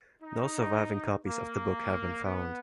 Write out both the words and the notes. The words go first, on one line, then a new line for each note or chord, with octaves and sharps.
No surviving copies of the book have been found.
D#4
A#3
B3